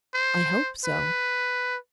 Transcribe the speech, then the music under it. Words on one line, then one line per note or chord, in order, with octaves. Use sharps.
"I hope so."
C5
B4